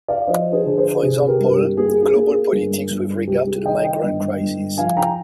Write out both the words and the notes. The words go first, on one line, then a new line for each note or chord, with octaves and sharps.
For example- glocal politics with regard to the migrant crisis.
D5 F5
F3 C5 D#5
G#4 C5
D3
G#4 C5
C3 G#4
G4 A#4
G1
G4
A#3 G#4
G#4
A#3
G#4
G1
G1
C2 G4
G#4
D#3 D#5 G5
D#5 G5
G1
G1
F3 F5 G#5
G5 A#5